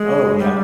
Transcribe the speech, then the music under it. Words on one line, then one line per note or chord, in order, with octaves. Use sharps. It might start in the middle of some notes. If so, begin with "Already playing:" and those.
Oh, yeah.
Already playing: G#3
G3